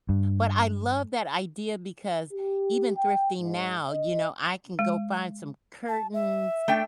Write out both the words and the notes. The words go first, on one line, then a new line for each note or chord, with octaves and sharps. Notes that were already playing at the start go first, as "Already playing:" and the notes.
but I love that idea because even thrifting now, you know, I can go find some curtains,
G2
G4
G5
G#2
D#5
G#3
A5
E5
A3 D4 G5